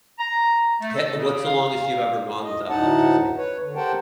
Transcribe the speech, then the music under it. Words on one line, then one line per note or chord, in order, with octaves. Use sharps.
He what's the longest you've ever gone without electricity?
A#5
A3
A4
C#3
F5
D#5
D2 A2 D#4 F#5 A5
B4 C#5
D3
G4 A#4 C5 F#5 G5 A5